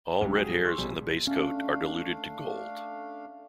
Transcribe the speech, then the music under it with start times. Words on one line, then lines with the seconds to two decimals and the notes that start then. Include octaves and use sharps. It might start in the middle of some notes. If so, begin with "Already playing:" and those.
All red hairs in the base coat are diluted to gold.
0.21 D#1 G#2 C#3
0.34 F#3 G4 G#4
0.50 G#4
0.65 C6 C#6 E6
0.78 A#1 B2 G3
1.27 A3 C#4 D4 F5